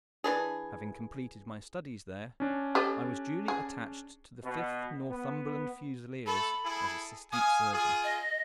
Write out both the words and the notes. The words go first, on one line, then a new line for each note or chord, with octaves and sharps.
Having completed my studies there, I was duly attached to the Fifth Northumberland Fusiliers as Assistant Surgeon.
E3 D4 G#4
C#4 D4
G4 A4 D#5
G#4
B2
B3
A3 A4 B5
E4 G#4 A4
F5 G#5 D#6
F4 G#4
D#5